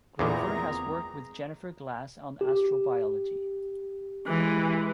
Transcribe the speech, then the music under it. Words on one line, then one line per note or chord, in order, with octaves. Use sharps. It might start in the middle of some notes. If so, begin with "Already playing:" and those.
Grover has worked with Jennifer Glass on astrobiology.
E2 A#2 C4 G#4 A#5
G4
E3 G#3